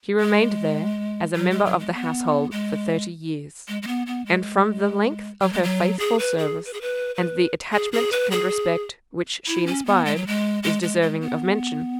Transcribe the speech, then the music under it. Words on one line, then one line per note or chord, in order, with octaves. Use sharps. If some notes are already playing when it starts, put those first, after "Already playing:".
She remained there, as a member of the household, for thirty years; and from the length of her faithful service, and the attachment and respect which she inspired, is deserving of mention.
G#3
F#3
G#3
F#3
G#3
B3
G#3
G#3
G#3
B3
B3
G#3
F#3
G#3
F#3
G#4
B4
G#4
B4
G#4
B4
B4
G#4
G#4
B4
G#4
E4
C#4
B3
G#3
F#3
G#3
G#3
G#3
G#3
B3